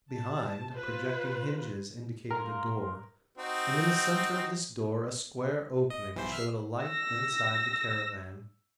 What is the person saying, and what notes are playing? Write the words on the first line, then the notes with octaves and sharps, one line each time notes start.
Behind, projecting hinges indicated a door, and in the centre of this door a square opening showed a light inside the caravan.
A5
F4 B4 C5
A#4 F5 C6
C4 D#4 F#4
D#5
B1 E3 C5
E5 F6 C7
E6 A#6